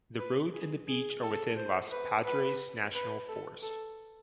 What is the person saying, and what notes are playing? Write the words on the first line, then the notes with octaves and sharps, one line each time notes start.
The road and the beach are within the Los Padres National Forest.
B4
G#4
G#4
A4
C5
B4
B4
B4
A4
A4